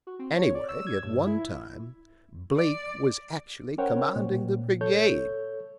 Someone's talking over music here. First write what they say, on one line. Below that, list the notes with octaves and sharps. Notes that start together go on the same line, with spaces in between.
Anyway, at one time Blake was actually commanding the brigade.
F#4
C4
C#5
D5
E6
G#6
G2
E4
D5
C#4 A#4 C5 C#5 F#5 G5
A#2
A4 C#5 G6